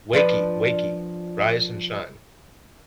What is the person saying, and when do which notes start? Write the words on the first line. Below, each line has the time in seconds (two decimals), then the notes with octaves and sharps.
Wakey, wakey! Rise and shine!
0.13 F3 D4 B4